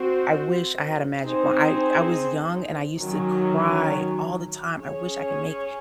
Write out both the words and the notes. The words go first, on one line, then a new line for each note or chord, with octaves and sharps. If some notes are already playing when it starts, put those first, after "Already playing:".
I wish I had a magic wand. I I was young, and I used to cry all the time, "I wish I could make
Already playing: C4 F#4 C5
C4 D#4 G#4 C5
D#3 F#3 C#4
C#4 G#4 C#5